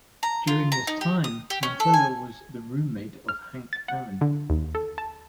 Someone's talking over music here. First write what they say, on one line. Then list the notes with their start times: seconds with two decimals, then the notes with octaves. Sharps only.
During this time Mantilla was the roommate of Hank Aaron.
0.23 A#5
0.47 F4
0.72 A#5
0.87 D#4
1.01 G4
1.24 D#6
1.50 G4
1.63 C#4
1.80 A4
1.94 G#5
3.29 F6
3.73 A6
3.88 F#5
4.21 D3
4.50 D#2
4.75 A4
4.98 A5